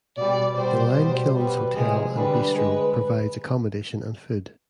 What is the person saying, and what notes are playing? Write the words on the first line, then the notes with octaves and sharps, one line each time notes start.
The Limekilns Hotel and Bistro provides accommodation and food.
B2 G3 D5
B2 G3 C5
B2 G3
B2 G3 B4
C3 F3 G#3 G#4
D3 G3 B4
G#3 B4